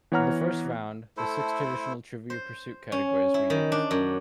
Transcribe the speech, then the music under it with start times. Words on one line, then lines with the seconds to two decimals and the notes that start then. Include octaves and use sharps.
In the first round, the six traditional Trivial Pursuit categories were used.
0.12 E3 B3 C#5 F#5 A#5 F6
1.17 A3 E4 A4 C5
2.30 C5
2.92 C#4
3.34 E4
3.50 D#3
3.72 D4
3.91 F#2